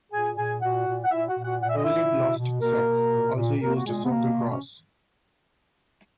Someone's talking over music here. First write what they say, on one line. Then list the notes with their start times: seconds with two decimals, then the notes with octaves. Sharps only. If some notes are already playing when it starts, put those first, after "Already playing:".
Early Gnostic sects also used a circle cross.
0.12 A#2 G#4 G#5
0.36 A#2 G#4 G#5
0.61 A#2 F#4 F#5
0.86 A#2
1.04 F#5
1.11 A#2 E4 E5
1.28 F#4 F#5
1.37 A#2
1.44 F#4 F#5
1.61 A#2 F#5
1.69 E5
1.77 D#5
1.84 A#2 E4 E5
2.11 B2
2.37 B2
2.60 B2 A#3 A#4
2.86 B2
3.10 A#2
3.36 A#2
3.60 A#2 A#3 A#4
3.76 F#4
3.85 A#2 G#3 G#4
4.04 B3
4.10 B2 A#3
4.35 B2
4.49 C#4